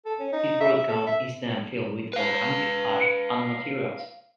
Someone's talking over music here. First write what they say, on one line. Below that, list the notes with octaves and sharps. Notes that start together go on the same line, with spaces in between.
This broad cone is then filled with volcanic ash and materials.
A4
C#4
D#4
E5
E5
A4
E5
B4 F5